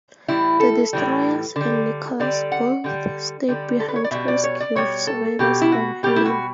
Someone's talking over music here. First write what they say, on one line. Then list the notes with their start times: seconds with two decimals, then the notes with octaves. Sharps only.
The destroyers and "Nicholas" both stayed behind to rescue survivors from "Helena".
0.28 A2 E3 G3 E4
0.60 A4
0.93 A2 E3 G3
1.56 D3 G3
2.20 D3 G3 D5
2.52 F#5
2.84 D3 G3
3.48 D3 G3
3.80 A4
3.88 B4
3.96 C#5
4.04 D5
4.11 B2 G3 E5
4.28 D5
4.44 C#5
4.60 D5
4.75 B2 G3 C#5
5.07 A4
5.39 B2 G3 G4
5.62 E4
5.72 F#4
6.03 B2 G3 G4
6.16 E4
6.25 F#4